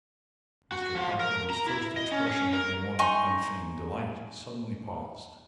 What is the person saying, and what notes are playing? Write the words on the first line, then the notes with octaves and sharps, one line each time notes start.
Mr. Parker, whose first expression had been one of unfeigned delight, suddenly paused.
F#4
F3
A#4
A#5
E4
D#5
C#4
C#4
A#4
D#4 G#5 C6 C#6